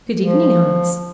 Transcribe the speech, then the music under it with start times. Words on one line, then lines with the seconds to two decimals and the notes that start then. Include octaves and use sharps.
'Good evening, Hans.
0.23 F3